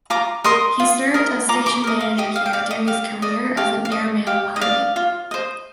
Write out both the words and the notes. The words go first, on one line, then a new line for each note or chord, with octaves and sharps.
He served as station manager here during his career as an airmail pilot.
F4 A#5 D6
A#4 D#5 C6 D#6
F4
A#4 D#5
F4 A#5 D6
A#5 D6
A#4 D#5
F5
G4 D#5
F5
G5
D5 F5
D#5
G4 F5
D5 D#5
G4 F5
F5
D5 D#5
G4 F5
D#5
D5 F5
F4
C5 D#5